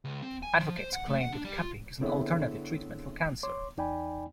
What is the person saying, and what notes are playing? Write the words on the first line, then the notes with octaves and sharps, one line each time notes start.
Advocates claim that cupping is an alternative treatment for cancer.
C#2
C4
G#5
F3
C5
F#5
A3
F#5
D4
G3
F4
D3 B3 C4 E4 G#4 C#5
C#5 C6 D6
E2 D#4 D5 G5 G#5 B5